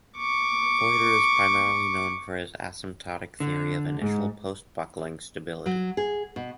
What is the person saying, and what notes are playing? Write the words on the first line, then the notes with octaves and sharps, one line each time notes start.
Koiter is primarily known for his asymptotic theory of initial post-buckling stability.
C#6 D6
D3
G#2
F#3
G#4
B2